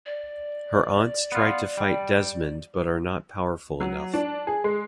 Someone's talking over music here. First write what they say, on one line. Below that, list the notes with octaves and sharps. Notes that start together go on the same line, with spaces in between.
Her aunts try to fight Desmond but are not powerful enough.
D5
B3 F4
G3
F#3
D4
G#4
G#3